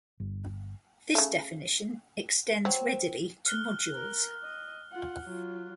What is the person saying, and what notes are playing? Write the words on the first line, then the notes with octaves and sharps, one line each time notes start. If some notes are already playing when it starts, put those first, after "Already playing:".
This definition extends readily to modules.
G1
C#3 A3
F#3 C4
F6 F#6 G7
A#4
D#5
F4 F#5
F#3 F4